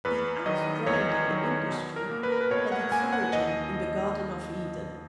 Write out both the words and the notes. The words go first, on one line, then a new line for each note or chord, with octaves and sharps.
The axe-grinding industry had its origin in the Garden of Eden.
E2 B4
D#3 F#3 D#5
E2 C#5
D#3 F#3
B2
A#4
A#3
B4
A#4
B4
B2 C#5
F#5
A#3 G#5
F#5
D#2 D#5